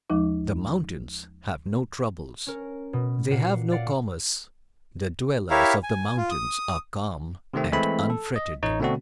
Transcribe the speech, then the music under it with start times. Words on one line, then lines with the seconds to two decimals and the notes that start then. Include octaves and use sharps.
The mountains have no troubles; they have no commerce. The dwellers of the mountains are calm and unfretted.
0.09 D#2 F3 G#3 D#4 D6
2.47 C#4 A#4
2.93 B2
3.31 A#2 F#5 C7
3.72 D5 F5 F#5
5.50 E4 G4 A#4 C#5 E5 F5
5.83 G#5
6.17 F4
6.31 D#6
7.54 C3 D#3 A3 C4
7.72 E3 G#3 A3 C4 E4 B5
8.10 A4
8.36 D#5
8.63 A1 D#4 C#5
8.80 B2 D3 A3 C4 D4 F#4